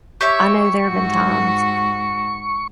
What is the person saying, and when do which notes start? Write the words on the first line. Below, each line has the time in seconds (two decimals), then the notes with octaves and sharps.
I know there have been times
0.21 G4 C#5 E5 C#6
0.87 G#2 F#4